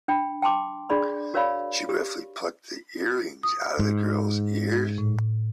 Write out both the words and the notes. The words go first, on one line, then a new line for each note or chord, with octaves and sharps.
She roughly plucked the earrings out of the girl's ears.
D4 G5 B5
G5 A5 C6 D6
D4 G#4 D5 B5 C6
F#4 A#4 C#5 D5 F5 B5
G4
D#6
G#2
A2